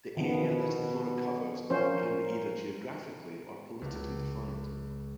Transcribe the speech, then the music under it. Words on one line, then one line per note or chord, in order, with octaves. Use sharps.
The area that a Flora covers can be either geographically or politically defined.
B2 D#3 F3 B3
F3 C#4 A#4 C5
C#2